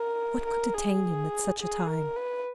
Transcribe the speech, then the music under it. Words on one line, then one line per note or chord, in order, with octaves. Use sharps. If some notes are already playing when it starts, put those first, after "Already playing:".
What could detain him at such a time?
Already playing: A#4
A#4
G#4
G#4
A#4
B4